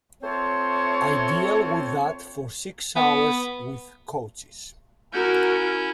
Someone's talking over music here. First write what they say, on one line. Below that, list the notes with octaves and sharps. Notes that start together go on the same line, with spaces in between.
I deal with that for six hours with coaches.
A3 C4 F4 C5 C#5
B3
C#4 E4 F#4 A#4 G6